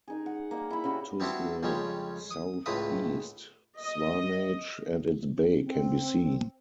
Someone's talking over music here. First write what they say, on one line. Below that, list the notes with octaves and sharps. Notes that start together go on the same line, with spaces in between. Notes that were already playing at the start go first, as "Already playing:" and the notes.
To the south-east Swanage and its Bay can be seen.
D#3 D#4 G#4
F#5
A#3 D#4 D5
E4 B5
C#3 C#4 F#4 G4
G3 B3 C4 D4 E4 F#4
F2 C#3 G3 G#3 C#4
D#6
C#2 A2 C#3 C4 B4 D#6
D#5
C4